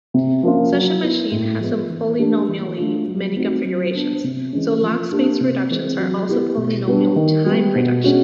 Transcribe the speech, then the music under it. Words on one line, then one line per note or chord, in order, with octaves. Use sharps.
Such a machine has polynomially-many configurations, so log-space reductions are also polynomial-time reductions.
C3
F3 A#3 C#4 F4
F#3
B3 E4
A2
F3 G#3 B3
E3
A3 D4 G4
E3
A3 D4 F4
F#3
A3 C4 D#4 F#4
F#3
B3 D4
C3
E3 G#3 C#4
F3
A#3 D4 G4
C3
E3 G#3 C4
F#3
B3 E4 G4
B2
G3 B3 D4
D#3
G3 B3
B2
G#3 C#4 F#4